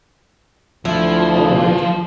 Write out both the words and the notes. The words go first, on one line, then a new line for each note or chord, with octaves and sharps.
'All right.
D2 F3 E4